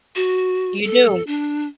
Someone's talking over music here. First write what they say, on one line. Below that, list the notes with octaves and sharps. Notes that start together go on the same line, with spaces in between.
You do.
F#4
A4
D4